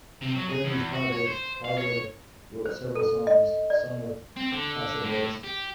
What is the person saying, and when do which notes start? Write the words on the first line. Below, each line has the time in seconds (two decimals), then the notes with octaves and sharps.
During these projects, Harwood wrote several songs, some with Cassavetes.
0.22 C3
0.36 F#3
0.50 G#4
0.65 E2
0.93 F#4
1.12 C#5
1.27 C5
1.64 F5
1.78 C#5
2.66 C5
2.95 A4
3.27 D#5
3.70 D5
4.36 C4
4.52 D3
5.04 A2
5.43 G4